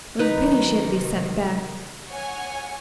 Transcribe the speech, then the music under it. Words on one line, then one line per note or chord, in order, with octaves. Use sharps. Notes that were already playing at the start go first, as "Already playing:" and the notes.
It was a pity she had to be sent back.
C3 D#3 F#3 D#4 B4
C#5 F#5 G#5